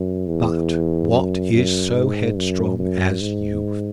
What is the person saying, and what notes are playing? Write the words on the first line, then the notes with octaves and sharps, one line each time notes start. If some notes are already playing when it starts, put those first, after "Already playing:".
But what is so headstrong as youth?
Already playing: F#2
E2
F#2
F#2
G#2
F#2
F#2
G#2